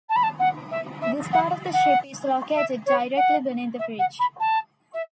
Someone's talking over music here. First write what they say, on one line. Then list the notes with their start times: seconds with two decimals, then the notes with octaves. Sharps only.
This part of the ship is located directly beneath the bridge.
0.09 A5
0.16 B5
0.23 A5
0.39 F#5
0.71 E5
1.01 E5
1.32 F#5
1.73 F#5
2.55 E5
2.86 C#5
3.16 F#5
3.78 E5
3.99 F#5
4.19 B5
4.40 A5
4.93 E5